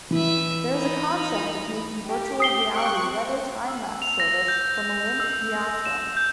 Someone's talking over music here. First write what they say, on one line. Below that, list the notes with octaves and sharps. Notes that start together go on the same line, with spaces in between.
There is a concept of making Virtual Reality weather timelapse service from Olympiaturm.
E3 B4 E5
D#4 B5
G4
D#6 C7 G7
G5 C#6 F#6
C4
E6
F7
A#6
G6
E6
E7
G6